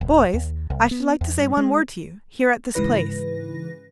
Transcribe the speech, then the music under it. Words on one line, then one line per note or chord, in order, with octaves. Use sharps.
"Boys, I should like to say one word to you, here at this place."
D#1
D#2
C2
B3
E2
G2
G#3
G#2 C#3 E3 B4 A#6